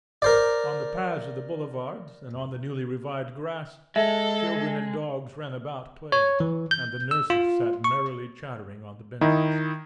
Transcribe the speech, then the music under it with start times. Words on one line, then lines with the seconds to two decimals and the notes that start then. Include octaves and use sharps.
On the paths of the boulevards and on the newly-revived grass, children and dogs ran about, playing, and the nurses sat merrily chattering on the benches.
0.22 A#4 C5 D5
3.96 G#3 A4 E5
6.12 C#5
6.40 E3
6.71 G6
7.11 E6
7.30 F4
7.84 C#6
9.21 D#3 D#4 E4